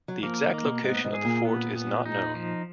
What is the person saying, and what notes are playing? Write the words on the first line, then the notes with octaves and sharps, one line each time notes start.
The exact location of the fort is not known.
F#3
F3 A#3
D#3
A#3
B2
G#2 B3
G#2
G#4
A#2
B3
B3
D#4
F3